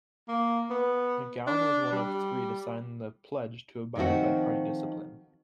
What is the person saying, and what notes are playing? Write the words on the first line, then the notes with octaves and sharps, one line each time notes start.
McGowen was one of three to sign the "pledge" to abide by party discipline.
A#3
B3
D4
G3
D#3 F3 A3 C4 F#4